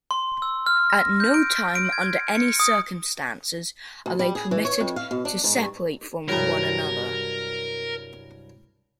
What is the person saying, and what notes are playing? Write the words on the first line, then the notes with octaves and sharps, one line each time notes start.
At no time, under any circumstances are they permitted to separate from one another.
C6
E6
F6
A#6
G6
D7
D7
G#6
C#7
D#6
D2
G3
G#4
E3
C#5
F2
F5
B2
D4
G#2
G2
C2 G2 F#3 A#4